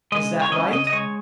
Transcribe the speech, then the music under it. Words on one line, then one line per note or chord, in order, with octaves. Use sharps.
Is that right?
G#3 D#5
C#2
C#5
C#4 D#5
C#3 D#5
D#5
G#3 C#5